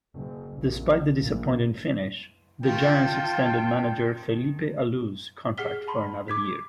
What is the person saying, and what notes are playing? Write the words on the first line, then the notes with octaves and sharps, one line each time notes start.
Despite the disappointing finish, the Giants extended manager Felipe Alou's contract for another year.
F#1
A#1
A#1
D#3 A3 F4 G5 A5
G4 G#4 F#5 F6 B6 G7
A5 B5 C6
D6 G#6 B6